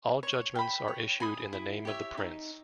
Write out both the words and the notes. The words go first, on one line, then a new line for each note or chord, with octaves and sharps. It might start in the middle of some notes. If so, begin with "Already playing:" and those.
All judgments are issued in the name of the Prince.
C#5
G5 B5
C#5
G#5 B5 D#6
E4
G4 C#5 E5
D#4